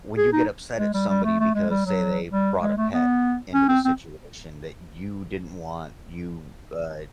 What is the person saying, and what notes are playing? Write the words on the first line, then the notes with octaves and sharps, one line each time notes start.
when you get upset at somebody because, say, they brought a pet into the situation that you didn't want, you, uh,
G#4
D#4
G#3
G3
G3
A3
A3
G#3
G3
F#3
G3
G#3
A3
B3
C#4
C4
C4